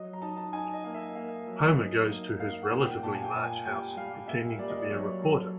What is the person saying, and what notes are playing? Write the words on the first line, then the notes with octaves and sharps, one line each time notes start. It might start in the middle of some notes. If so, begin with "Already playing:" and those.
Homer goes to his relatively large house pretending to be a reporter.
Already playing: F#3 D#5
A#5
D#4 A5
A5
D#4 G#5
D#5
A#3
E5
A#3
F#3
D#4
A#3
D#4 F5
F#5
A#2
G5
A#2 A5
G#5
G5
A#2
G#5
G3 G5
G3 F5
A#3 E5
G3 D5
D#5
D5
F#3 C#5
F#3 A4